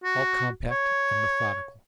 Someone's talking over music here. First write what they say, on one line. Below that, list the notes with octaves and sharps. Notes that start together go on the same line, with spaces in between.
All compact and methodical.
F#4
C#5